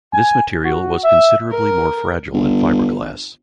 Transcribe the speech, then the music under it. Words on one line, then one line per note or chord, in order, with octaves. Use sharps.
This material was considerably more fragile than fiberglass.
G#5
F#4
E5
A#4
G1